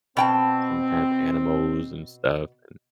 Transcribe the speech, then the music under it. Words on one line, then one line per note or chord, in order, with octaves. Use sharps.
some kind of animals and stuff and
B2 C4 G5 A5